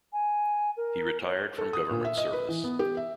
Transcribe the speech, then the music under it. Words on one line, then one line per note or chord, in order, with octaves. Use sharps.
He retired from government service.
G#5
A#4
C#5
A4
D#6
A#2
E5
D#5
B4
E3
B3
G4
E5